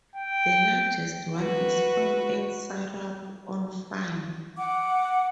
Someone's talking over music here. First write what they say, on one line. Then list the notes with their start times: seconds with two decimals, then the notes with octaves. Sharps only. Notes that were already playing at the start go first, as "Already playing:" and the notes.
The largest one is found at Sarup on Fyn.
0.15 G5
1.37 F#4 B4
4.56 F#5 D6